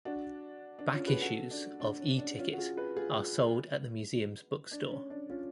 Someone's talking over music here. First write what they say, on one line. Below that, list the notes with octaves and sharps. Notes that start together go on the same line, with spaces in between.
Back issues of "E" Ticket are sold at the Museum's bookstore.
D4 F#4
D4
C#4 F4
G#4 B4
F#4 A4
D4
D4
C#4
D4
C#4 F4
F#4
F4 G#4
G#4 B4
F4 G#4
D4
C#4
D4
C#4 F4